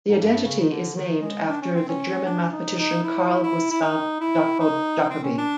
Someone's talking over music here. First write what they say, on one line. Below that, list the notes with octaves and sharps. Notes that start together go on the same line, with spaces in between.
The identity is named after the German mathematician Carl Gustav Jakob Jacobi.
G#2
G2
C#3
D#3
D3
D#3
G#3
D4
C#4
C4
C#4
D4
D#4
D#4
E4
E4
E4
D#4
E4
D#4
C4
C#4
D4